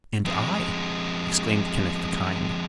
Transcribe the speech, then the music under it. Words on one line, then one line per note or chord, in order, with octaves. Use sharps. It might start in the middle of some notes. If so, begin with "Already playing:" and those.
"And I," exclaimed Kenneth the Kind.
F2 G#3